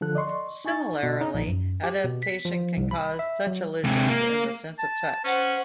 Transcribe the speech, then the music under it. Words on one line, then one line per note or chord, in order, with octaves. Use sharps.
Similarly, adaptation can cause such illusions in the sense of touch.
D3 F3 A4 F#6
D5 D#5 C6 C#6
D#4 G#5 C#6 A6
B2
D#4
A#1
F#2
G4
B2
B6
F3
C2
B5
E5
F#3
C3 G#3
A#3
A5
C#4 C5 F#5